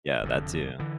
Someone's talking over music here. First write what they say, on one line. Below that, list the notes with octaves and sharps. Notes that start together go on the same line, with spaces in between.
Yeah, that too.
F1 F2 D3
D3 E3